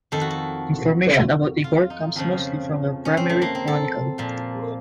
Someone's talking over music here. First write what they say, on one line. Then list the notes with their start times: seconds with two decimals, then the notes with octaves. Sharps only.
Information about Igor comes mostly from the "Primary Chronicle".
0.12 F2 D#3 A4
0.21 F#4
0.30 A4
1.64 F4
1.90 D#4
2.16 F2 C#3 F3
3.05 C#4
3.17 C4
3.29 A3
3.42 A#3
3.55 C4
3.67 A4
4.18 A#2 F3